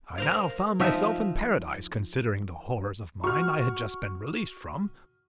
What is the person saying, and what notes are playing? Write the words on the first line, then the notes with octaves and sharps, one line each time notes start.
I now found myself in paradise, considering the horrors of mind I had just been released from.
A#4 C5 F5
F3 D#4 F4 E5
F#4 C#6 F6